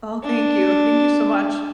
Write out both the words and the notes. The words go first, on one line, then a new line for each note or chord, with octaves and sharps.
Oh, thank you, thank you so much.
D4